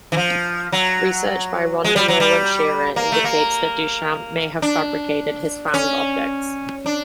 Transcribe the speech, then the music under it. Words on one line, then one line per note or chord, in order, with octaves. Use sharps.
Research by Rhonda Roland Shearer indicates that Duchamp may have fabricated his found objects.
E3
F3
F#3
G#3
G3
F#3
G3
A#3
A3
A#3
D4
C#4
D4